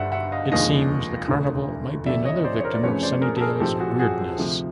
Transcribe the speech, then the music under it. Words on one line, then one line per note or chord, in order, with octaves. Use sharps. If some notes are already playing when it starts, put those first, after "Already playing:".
It seems the carnival might be another victim of Sunnydale's weirdness.
Already playing: G1 G2 D3 G3 C5 D5 E5 F#5
E5 F#5
D#5 F5
F1 D#2 D3 F3 G#3 D#5 F5
E1 D2 D3
D2 C3 F3 D5 E5
C#5 D#5
C5 D5
C#5
A#4 C5
D5
F#2 C#3 F3 A3 C4 B4 C#5
C5 D5
G#4 A#4
A4
G#4 A#4
A#1 G#2 F3 G#3 C4 G4 A4
F#4 G#4
F#4 G#4
D2 C3 F3